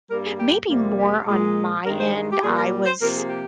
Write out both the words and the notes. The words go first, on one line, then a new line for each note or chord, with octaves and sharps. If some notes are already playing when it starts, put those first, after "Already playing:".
m maybe more on my end, I was
G2 G3 A#3 A#4
G#4
G4
F2 C3 G3 A#3
G4
A#2 G#3
G2 D#3 G#3 A#4
C5
G4
A#2 G3 A#3 G#4
A#4
C5
C3 F3 A#3 A#4
G#4
G4